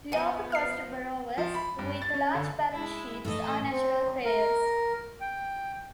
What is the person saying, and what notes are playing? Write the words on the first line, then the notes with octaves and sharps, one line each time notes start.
Lower cost borrowers, with large balance sheets, are natural payers.
F3 B3 F#5 G#5
F6 C7
F3
B5
G2
A6
C#4
D3
G#3 E4
A2 E3 A3 A4 D#5
C4
A#4
G5